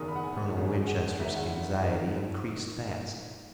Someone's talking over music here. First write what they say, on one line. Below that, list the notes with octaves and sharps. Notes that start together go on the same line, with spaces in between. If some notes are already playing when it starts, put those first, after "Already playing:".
Colonel Winchester's anxiety increased fast.
Already playing: F#1 E2 D#3 D#6
B5
F#5
G#5
G#1 F#2 C#3
F#5
F#1 E2 D#3 E5
F#5
D#3